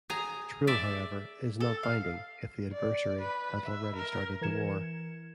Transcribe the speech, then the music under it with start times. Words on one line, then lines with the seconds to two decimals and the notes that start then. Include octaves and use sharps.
This rule, however, is not binding if the adversary has already started the war.
0.10 G#4 G#5 A#5
0.67 D5 E5
1.61 A4
1.83 F5
2.73 D5
3.21 B4
3.64 E5
3.96 A#4
4.41 E3 A#4 G#6 C#7 E7